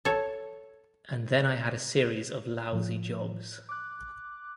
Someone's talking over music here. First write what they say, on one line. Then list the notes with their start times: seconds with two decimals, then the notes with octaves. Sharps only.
And then I had a series of lousy jobs.
0.05 A4 C#5
2.72 A2 F3
3.69 D6 F#6